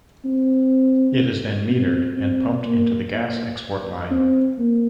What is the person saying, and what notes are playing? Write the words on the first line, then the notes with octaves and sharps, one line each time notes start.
It is then metered and pumped into the gas export line.
C4
C4
C4
A#3
A#3
C4
A#3